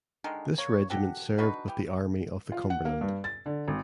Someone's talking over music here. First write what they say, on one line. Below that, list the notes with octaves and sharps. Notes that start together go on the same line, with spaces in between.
This regiment served with the Army of the Cumberland.
D3 D#3 G#3 A#4
A#3 C#5
F#4 G4 A4 F#5
D4 D#4 F#4 B4
E3 G4
F4
F#5
A#3
G2
A6
D3
G#1